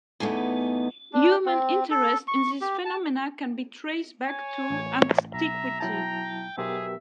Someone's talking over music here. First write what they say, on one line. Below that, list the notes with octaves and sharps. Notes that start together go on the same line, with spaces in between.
Human interest in these phenomena can be traced back to antiquity.
E2 E3 A3 B3 D#4
D4
C4
A4
C#6
G4
A5
C#5 G#5
A1
B1 E5 A#5
F#3 E4 G5 A5
B1 B2 B3 G4 G#4 A#4 C5 E5